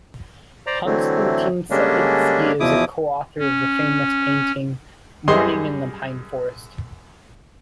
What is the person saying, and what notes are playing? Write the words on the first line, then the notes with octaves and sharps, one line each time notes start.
Konstantin Savitsky is a co-author of the famous painting "Morning in the Pine Forest".
C5 D5 A#5
D3 E3 F#3 A3 C4
D3 G3 G#3 A#3 C#4 D4
E2 B2 F3 E4 D6 D#6
C#4
F#2 G3 G#4 D#5 C6